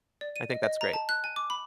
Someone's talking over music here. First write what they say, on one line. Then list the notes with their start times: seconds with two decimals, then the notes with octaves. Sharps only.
I think that's great.
0.21 D5
0.36 D#7
0.50 D#5
0.63 D#5
0.81 A#5
0.93 A5
1.09 F#6
1.24 G#5
1.36 D6
1.50 B5